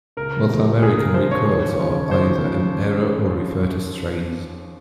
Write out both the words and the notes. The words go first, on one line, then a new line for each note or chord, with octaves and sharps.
North American records are either in error or refer to strays.
C#2 A#4
C3 F3
C#2 G#4
A#4
C3 F3 C5
C#5
D#2
C#3 F3
D#2 C5
C#3 F3